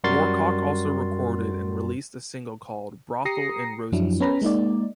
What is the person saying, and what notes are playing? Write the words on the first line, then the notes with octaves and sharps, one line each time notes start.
Moorcock also recorded and released a single called "Brothel in Rosenstrasse".
F#2 G3 F#4 A#4 C6 A6
G4 A#5 D#6 A#6 C7 C#7
F#2 F3 F#3 D4 E4
B3 C#4 B4 A#5 B5
G#3 A#3 D#4 D5